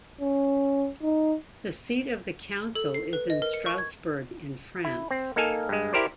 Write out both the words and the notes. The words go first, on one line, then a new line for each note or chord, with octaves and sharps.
The seat of the Council is in Strasbourg in France.
C#4
D#4
A4
C7
B4
D#5
A#4
C#7
C#6
G#6
E4
C4
A#3 D#4 A4 F5 G#5
G2 G#3
E4 G4 A#4 C5 D5